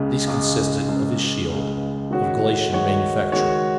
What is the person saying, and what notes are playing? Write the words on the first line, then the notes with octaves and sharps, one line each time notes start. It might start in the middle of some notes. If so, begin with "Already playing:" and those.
These consisted of his shield, of Galatian manufacture.
Already playing: C#2 C#3 G#3
C#2 C#3 G#3
C#2 C#3 G#3
C#2 C#3 G#3
D#3 G#3 F#4 C#5
D#3 G#3 F#4 C#5
D#3 G#3 F#4 C#5